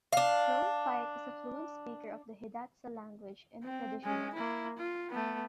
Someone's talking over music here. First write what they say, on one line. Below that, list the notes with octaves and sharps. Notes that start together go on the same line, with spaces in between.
Lone Fight is a fluent speaker of the Hidatsa language and a traditionalist.
D4 F5
C4
G#3 C#4
A#3 E4
F4
A3 B3